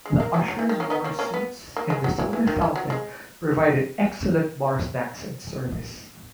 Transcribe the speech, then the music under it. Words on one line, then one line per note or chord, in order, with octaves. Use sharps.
The ushers wore suits and the soda fountain provided excellent bar snacks and service.
G#3
A#3
F#3
F#3
E3
D#3
A#3 C#4
B3 D#4
A#3 C#4
A#3 C#4
B3
A#3
G#3
F#3
E3
E3
D#3
E3
F#3
G#3